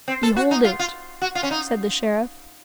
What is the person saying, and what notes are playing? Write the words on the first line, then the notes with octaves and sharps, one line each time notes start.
"Behold it," said the sheriff.
C4
A4
F#4
D#4
F4
F4
F#4
F4
C#4
D#4